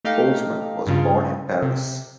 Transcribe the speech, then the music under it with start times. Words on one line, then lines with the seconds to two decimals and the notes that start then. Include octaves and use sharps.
Holzman was born in Paris.
0.05 A3 D#4 G4 F5
0.87 G2 C#3 F4
1.62 C3